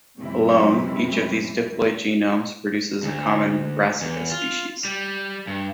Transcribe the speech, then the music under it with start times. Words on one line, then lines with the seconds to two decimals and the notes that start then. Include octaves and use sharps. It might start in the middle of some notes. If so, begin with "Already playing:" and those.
Alone, each of these diploid genomes produces a common "Brassica" species.
0.20 F#2 C3 E3 G#3 C#4 E4
3.03 D2
4.01 E2
4.32 F4
4.85 G3
5.47 G2